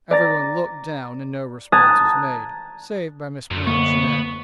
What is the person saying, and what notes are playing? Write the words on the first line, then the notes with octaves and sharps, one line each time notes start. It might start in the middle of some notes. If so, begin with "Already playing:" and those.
Everyone looked down and no response was made, save by Miss Plantagenet.
D5 A#5 A6 A#6
A5 A#5 D#6 F#6 G#6 A6
F#2 A#2 A3
D2 D3 A#3 B3 C#6